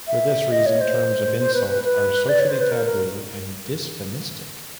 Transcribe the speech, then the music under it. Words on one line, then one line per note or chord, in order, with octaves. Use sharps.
For this reason, terms of insult are socially taboo and dysphemistic.
E5
D#5
C#5
C5
C5
B4
B4
B4
D5
C#5
C5
B4
A#4
A#4